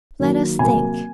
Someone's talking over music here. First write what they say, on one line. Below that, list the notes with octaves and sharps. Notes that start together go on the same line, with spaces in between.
Let us think.
D#3 F#3 A#3
C3 F#3 A#3 G#5